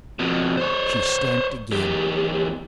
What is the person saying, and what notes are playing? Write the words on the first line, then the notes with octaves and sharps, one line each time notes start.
She stamped again.
F2 B2
C5 C#5
E2 G4